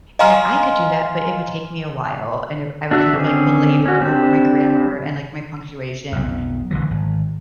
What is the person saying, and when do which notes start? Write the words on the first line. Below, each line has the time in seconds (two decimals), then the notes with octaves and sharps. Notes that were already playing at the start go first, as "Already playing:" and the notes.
and like I could do that, but it would take me a while, and it I would kind of, like, belabor over my grammar, and, like, my punctuation.
0.19 D#5 F5 G#5 A#5 C6 F6
2.91 D4 F#4 E5
3.14 D3 C4 C#4 G#4
3.86 C#4 F#4
4.01 G3 C4 D4 G4
6.12 B1 F2
6.71 A1 D3 E3 F#3
6.91 G#1